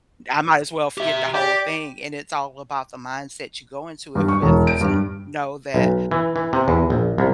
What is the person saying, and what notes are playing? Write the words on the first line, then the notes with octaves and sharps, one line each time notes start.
eh, I might as well forget the whole thing." And it's all about the mindset you go into it with to know that,
G4 E5
G4 D5
G2
C#6
E1
D7
G2
B1
E3
E3
C3
E2
A#1
C2